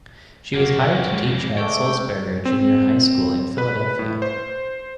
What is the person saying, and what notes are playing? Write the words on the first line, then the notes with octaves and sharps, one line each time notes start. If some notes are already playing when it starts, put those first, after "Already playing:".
She was hired to teach at Sulzberger Junior High School in Philadelphia.
F2 F#3 A#3
G#3
A3 D4 E5 G5 C#6
C4
B4
A2
C5